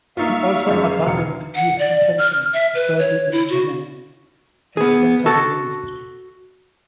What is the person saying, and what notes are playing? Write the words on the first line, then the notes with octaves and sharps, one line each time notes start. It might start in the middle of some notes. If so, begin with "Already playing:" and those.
He also abandoned his intentions to study in Germany and enter the ministry.
A#3 D#4 F4 E5 F5 C#6
F#2 F3 G#3
F5
E1 C#7
F#5
D5
F6
E5
B4
C#5
E4
F#4
B3 G#4
F#4 A4 A5